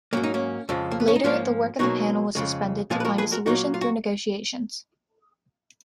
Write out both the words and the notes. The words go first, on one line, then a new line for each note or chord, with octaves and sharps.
Later, the work of the panel was suspended to find a solution through negotiations.
G#2 F#3 A#3 C#4
D#4
A#3 C#4
F2 C#3 F3 G#3
A#3
B3
C#4
D#4
G#2 F3 A#3 C#4 F4
B2 F#3 A#3 D#4 F#4
F2 C#3 G#3
A#2 F3 G#3 F4 G#4
B4
F#4 A#4
G#4 B4
F#4 A#4
A#2 F#3 A#3 D#4 F#4
F4
F#4